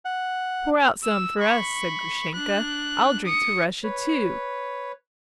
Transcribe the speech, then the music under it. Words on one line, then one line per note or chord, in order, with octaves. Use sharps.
"Pour out some for us," said Grushenka; "I'll drink to Russia, too!"
F#5
E6
B5 C#6
D4 F#6
D#6 C#7
B4 C#5